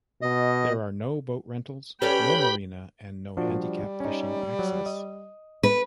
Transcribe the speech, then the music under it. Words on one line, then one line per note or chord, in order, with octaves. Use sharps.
There are no boat rentals, no marina, and no handicap fishing access.
B2 D#5
C#4 G4 A4 B4 D5 G5 B5
A#2 F3 D4 F#4
G3
C#4 D#4
F#3
D#5
B4